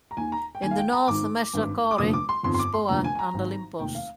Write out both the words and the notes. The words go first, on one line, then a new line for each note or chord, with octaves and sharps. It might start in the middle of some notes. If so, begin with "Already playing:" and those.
In the north Mesochori, Spoa and Olympos.
A#5
D#2 D#3 G#5
A#5
G5
D#2 D#3 G#5
F5
G5
A#5
G#1 G#2 D#3 D6
G#1 G2 D#3
D6
F1 D#2 D3 F3 D#6
D6
C6
G1 F2 D#3 C6
C6
D6
C6
F1 D#2 D3 F3 A#5
G#5
G#5
A#5
G#1 G#2 D#3
F1 D#2 D#3 G5
F5